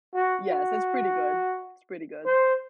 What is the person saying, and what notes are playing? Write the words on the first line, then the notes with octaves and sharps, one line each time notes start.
Yes, so, it's pretty good. It's pretty good.
F#4
F#4
C5